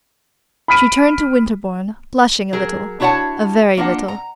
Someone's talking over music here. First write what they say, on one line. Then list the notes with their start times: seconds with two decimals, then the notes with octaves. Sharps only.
She turned to Winterbourne, blushing a little--a very little.
0.68 B5 D#6 F6 B6 D7 D#7
2.53 F#3 G#4 A#4
3.00 D4 E4 F#4 C#5 F#5 A5
3.77 A#3 D4 F4 F#5
4.08 A#5